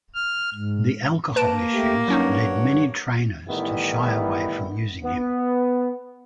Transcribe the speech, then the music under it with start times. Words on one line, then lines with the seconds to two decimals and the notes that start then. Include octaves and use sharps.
The alcohol issues led many trainers to shy away from using him.
0.14 F6
0.54 G#2
1.36 A#3 B4 A5 D7
1.74 A3 G4
2.08 G2 F#3 C#4 D#4 C#5 F#5
3.49 A2 D#3 E3 G3 B3 E4
5.04 B3